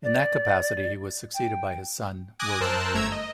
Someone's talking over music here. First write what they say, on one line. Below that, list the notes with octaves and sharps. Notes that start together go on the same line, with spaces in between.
In that capacity he was succeeded by his son William.
D5
G5
G#5 D6 D#6 F#6 G#6 A#6
F#2 A#4 C5 A5 E6 F#6
G1 A3 A#5 E6 G#6
D#5